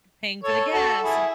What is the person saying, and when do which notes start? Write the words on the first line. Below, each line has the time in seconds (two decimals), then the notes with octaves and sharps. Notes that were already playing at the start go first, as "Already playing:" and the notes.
p paying for the gas, and
0.43 A4 C#5
0.73 F#4 A4
1.03 E4 G#4